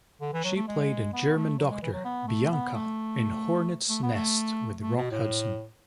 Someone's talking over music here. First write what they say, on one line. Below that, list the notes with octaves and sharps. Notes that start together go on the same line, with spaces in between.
She played a German doctor, Bianca, in "Hornets' Nest" with Rock Hudson.
D3
E3
F#3
A3
G#3
B3
A3
F#3
G#3
E3
F#3
B3
A3
B3
A3
A3
B3
A3
A3
B2
A2